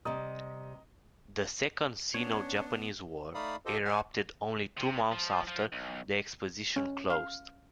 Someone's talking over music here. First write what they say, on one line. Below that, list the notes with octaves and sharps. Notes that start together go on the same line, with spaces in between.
The Second Sino-Japanese War erupted only two months after the Exposition closed.
C3 G3 D#5 A#5 D#6
B3 C#4 D4 C#5
A3 D#4 D5 F5 B5 D#6
F4 G4 A4 C5 D#5
C5 F#5 G#5
C3
F3
F3
B1
C#4
F5